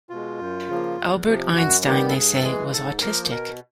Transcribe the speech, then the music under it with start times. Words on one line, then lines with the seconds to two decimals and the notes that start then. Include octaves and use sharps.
Albert Einstein they say was autistic.
0.10 B2 G#3 F4
0.39 F#2
0.68 C#3 F3 A#3
0.97 E2
1.26 C3 F3
1.56 F#2 F#4
1.86 D#3 G3 B3 G4
2.09 A4
2.14 G2 G#4
2.35 A4
2.43 E3 G#3 G#4
2.72 G#2 A4
3.01 F3 A#3 A#4
3.31 B2 A#4